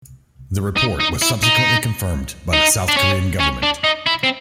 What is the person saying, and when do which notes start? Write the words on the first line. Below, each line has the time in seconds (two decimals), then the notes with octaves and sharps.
The report was subsequently confirmed by the South Korean government.
0.77 D#4
1.00 D#4
1.22 E4
1.43 D#4
2.53 D#4
2.89 D4
2.97 C#4
3.40 C#4
3.63 D4
3.84 D#4
4.06 E4
4.23 C4